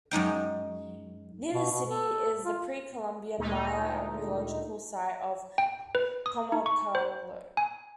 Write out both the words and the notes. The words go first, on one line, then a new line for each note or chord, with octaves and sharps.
Near the city is the Pre-Columbian Maya archaeological site of Comalcalco.
F#2 G#3 D#4 G5
B2
B2
A4
F4
D2 A#2 G#3 A3 D#4
G5
B4
D#6
D#4
C#6
C5
G#5